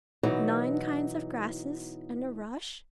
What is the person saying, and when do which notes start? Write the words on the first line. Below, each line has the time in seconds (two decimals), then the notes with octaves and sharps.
Nine kinds of grasses, and a rush.
0.23 B2 E3 F#3 B3 D#4